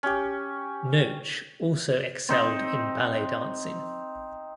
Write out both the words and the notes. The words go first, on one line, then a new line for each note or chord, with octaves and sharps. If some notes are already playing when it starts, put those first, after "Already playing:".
Noach also excelled in ballet dancing.
C#4 G4
C4 D#4 C5